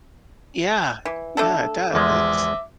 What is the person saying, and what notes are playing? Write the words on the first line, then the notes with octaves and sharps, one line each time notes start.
Yeah. Yeah, it does.
E3
A3 D4 A4
E2 F3 G#3 E5 D6